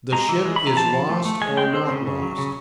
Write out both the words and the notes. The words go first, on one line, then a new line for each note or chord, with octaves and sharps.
The ship is lost or not lost.
G#3 A#5
E3
G#3
B5
E3
A#5
F3 A5
F3
A3
A3
G#3 G#5
G#3 G5
C4
C#3
C#3
F#3
C#3